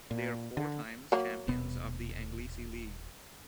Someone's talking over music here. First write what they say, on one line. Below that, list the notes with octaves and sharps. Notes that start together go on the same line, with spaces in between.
They are four times champions of the Anglesey League.
A#2
D3
F#3 A#3
D#1 B2 B3